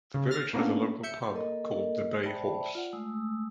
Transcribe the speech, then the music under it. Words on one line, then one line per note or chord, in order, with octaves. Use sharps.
The village has a local pub called the Bay Horse.
C#3
F6 A6 A#6
A2 A#3 B3 C#4 D4
E5 G6 C#7
A#3 A4 A#4 D#5
C5 D5 E5 G5 A5 B5
F4 D5 F#5
G#3 A3 D#6 E6